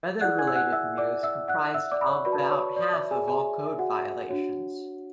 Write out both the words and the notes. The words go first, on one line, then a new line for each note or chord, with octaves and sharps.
Weather-related news comprised about half of all code violations.
E4 G#4 D5 F#5 F#6
G#5 G#6
E6
F#5 F#6
E5 E6
D5 D6
E5 E6
F#5 F#6
E5 E6
D5 D6
B5
C#5 C#6
F#4 B4 D5 B5
A5
B4 B5
C#5 C#6
D5
E5
G#4 G#5
G#4 G#5
E5
E5
F#4 F#5
D4 F#4 C#5